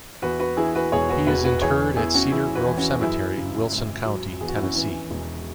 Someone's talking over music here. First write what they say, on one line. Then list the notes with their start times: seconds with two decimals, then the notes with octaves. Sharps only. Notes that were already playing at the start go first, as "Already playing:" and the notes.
He is interred at Cedar Grove Cemetery, Wilson County, Tennessee.
0.22 E2 F#4 B4
0.39 F#4 B4
0.57 E3 E4 G#4
0.75 F#4 B4
0.92 E1 G#4 C#5
1.09 F#4 B4
1.27 E1 F#4 B4
1.45 F#4 B4
1.62 E3 G#4 C#5
1.97 E2 E4 G#4
2.14 C#4 F#4
2.32 E2 E4 G#4
2.55 F#4 B4
2.67 E3
2.78 C#4 F#4
3.01 F#2 E4 G#4
3.37 C#3
3.72 G#1
4.06 F#3
4.41 E2 G#4
4.48 F#4
4.55 E4
4.62 C#4 F#4
4.75 E3 C#4
5.11 E1